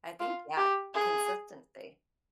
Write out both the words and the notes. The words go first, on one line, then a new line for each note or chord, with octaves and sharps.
I think, yeah, consistency.
F4
G4
G#4